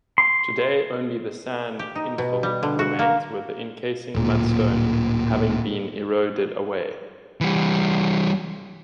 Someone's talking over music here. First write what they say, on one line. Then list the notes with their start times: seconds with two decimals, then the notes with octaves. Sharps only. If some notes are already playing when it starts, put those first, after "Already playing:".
Today only the sand infill remains, with the encasing mudstone having been eroded away.
0.18 C6
1.79 G4
1.96 D#4
2.18 B2
2.43 G3
2.63 D3
2.79 F#4
2.99 A#3
4.15 D1 A#2
7.41 E3 G3